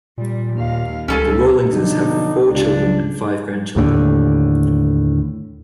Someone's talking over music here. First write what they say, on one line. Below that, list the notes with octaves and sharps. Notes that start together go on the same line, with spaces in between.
The Rawlingses have four children and five grandchildren.
A#2 G3
D#2 F5
C#2 D#3 G3 C#4 A4 G#5
F2 B2 D3 F#3 D4 D#4
C#2 D4
D#2 A2 D3